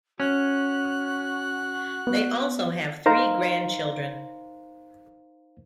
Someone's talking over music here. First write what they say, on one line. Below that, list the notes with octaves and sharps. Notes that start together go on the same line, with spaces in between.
They also have three grandchildren.
C#4 F#4 F#6
B3
D#4 A#4 C5 F5 A#5